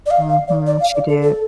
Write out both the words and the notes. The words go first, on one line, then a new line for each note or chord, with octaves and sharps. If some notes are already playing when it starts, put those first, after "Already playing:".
Mhm. She did.
D5
F5
F5
D5
D5
F5
D5
A4
A4